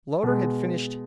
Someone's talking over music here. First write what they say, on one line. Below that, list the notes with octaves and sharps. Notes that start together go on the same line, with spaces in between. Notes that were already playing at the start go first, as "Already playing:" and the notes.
Loder had finished.
B2 G#3